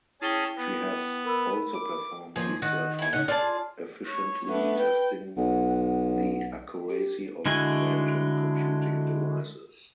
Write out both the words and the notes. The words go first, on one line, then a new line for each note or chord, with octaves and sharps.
She has also performed research on efficiently testing the accuracy of quantum computing devices.
C#4 E4 G#4 G5 A5 G7
B3
A#4 B5 E6
D6
D#2 F3 G#4
D#3 F#4
E4 G#5
C#3 D#4 D#5 F#5
F4 G#4 D5 A5
C#5
A3 B3 D4
B4 G5
B1 F#5
G4
D3 G#3 E4 F#4 G#5